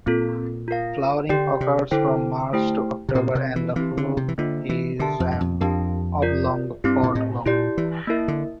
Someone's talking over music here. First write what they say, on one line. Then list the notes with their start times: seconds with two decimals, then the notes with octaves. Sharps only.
Flowering occurs from March to October and the fruit is an oblong pod long.
0.06 A#2 C4 F4 A4
0.68 F4 A#4 F5
1.29 D3 G4 D5 G5
1.61 C3
1.91 D3 E4 A4 C5 G5
2.53 A3 E4 G4 C5 G5
3.09 C3
3.15 A#2 C4 G4 A#4
3.35 C3
3.56 E3
3.76 E3 C4 E4 G4
3.97 D3
4.17 C3
4.28 E3
4.38 D3 A#3 D4 F4 C5 E5
4.69 E3
5.00 D3 G4 A#4 E5 A5
5.20 F2
5.31 G2
5.41 F2
5.61 F2 D4 G4 A#4 F5 A5
6.22 F4 A#4 D5
6.84 G2 C4 E4 G4
7.03 A#2
7.15 A2
7.46 A#2 E4 G4 D5
7.78 E3
8.07 A#3 E4 A#4 E5
8.28 D3